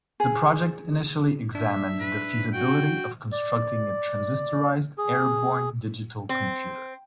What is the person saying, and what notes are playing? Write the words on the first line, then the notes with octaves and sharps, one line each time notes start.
The project initially examined the feasibility of constructing a transistorized airborne digital computer.
G#4
D4 E5
B4
F#4 G5
D5
G#4
C4